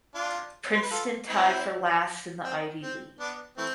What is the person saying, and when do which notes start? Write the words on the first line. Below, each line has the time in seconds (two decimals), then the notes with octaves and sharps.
Princeton tied for last in the Ivy League.
0.15 D4 F4
0.74 C5
0.82 B4
0.91 F4 A4
1.29 C4 E4
2.44 C4
2.82 C4
3.19 B3 D4
3.58 E3 A3 C4